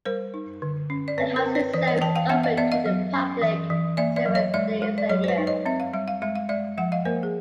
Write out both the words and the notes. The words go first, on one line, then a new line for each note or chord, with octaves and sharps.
The house itself is open to the public several days a year.
G3 A#4 C5
D#4
D3
C#4
D5
C4 B4 C#5
A#4 C5
C4
B4 C#5
E3 C5 D5
C#5 D#5
E3 G5 A5
F5 G5
B3 E5 F#5
D#5 F5
B3 D5 E5
D#5 F5
F#3
C#4
E3
E3
A#3 D5 E5
D5 E5
F#3
C#5 D#5
G#3 D5 E5
G#3
D5
F#3 C#5 D#5
C5
B4 C#5
D#4
C#5 D#5
C4 E5
F5
G3 E5
F5
G#3 E5
F5
G#3 D5 E5
F3 E5 F#5
D#5 F5
A#3 A#4 C5
G#4